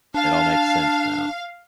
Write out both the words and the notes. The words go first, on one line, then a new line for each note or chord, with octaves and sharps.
It all makes sense now.
D4 F5 A5